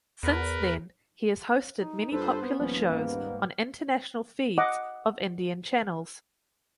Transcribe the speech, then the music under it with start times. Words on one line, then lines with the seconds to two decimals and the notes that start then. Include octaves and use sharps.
Since then he has hosted many popular shows on international feeds of Indian channels.
0.23 E2 A#4 B4
1.78 D#4
2.12 G2 F4 A4 B4 C5
2.41 B3 C4
2.59 D#1 F3 C#4 B4
2.88 G#2 G3 A#3 B3
4.58 D#5 F#5 D6